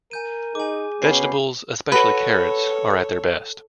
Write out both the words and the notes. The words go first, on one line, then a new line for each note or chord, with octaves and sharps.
Vegetables, especially carrots, are at their best.
A#4 G#5 G6 D#7
D#4 G#4 G#5 D6
B2 C#4 B5 C7
F#4 A4 B4 C#5